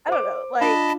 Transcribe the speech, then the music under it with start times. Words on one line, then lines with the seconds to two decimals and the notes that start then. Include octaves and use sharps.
I don't know, like,
0.08 C5 D6
0.61 D4 F4 D#5 A5 B5